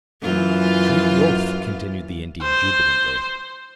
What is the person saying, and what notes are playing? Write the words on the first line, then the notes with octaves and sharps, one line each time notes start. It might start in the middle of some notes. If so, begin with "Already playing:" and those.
"T'ree wolf!" continued the Indian jubilantly.
F#2 E3 F4
C5